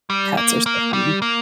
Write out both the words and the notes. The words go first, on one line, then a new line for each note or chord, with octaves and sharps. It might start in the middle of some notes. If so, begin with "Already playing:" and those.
Cats are so funny.
G3
A#3
A#3
G3
A#3